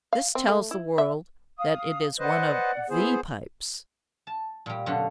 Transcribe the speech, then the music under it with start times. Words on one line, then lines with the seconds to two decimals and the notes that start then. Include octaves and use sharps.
This tells the world that it is one of THE pipes.
0.13 F5
0.35 C4
0.48 A3
0.71 E4
0.98 E5
1.57 F5 D#6
2.19 B4 C5 D5 D#5 F#5
2.90 B3 E4 G#4 C5
4.27 A5
4.66 A#2 G3
4.86 F#2 B2 D3 F4 F#5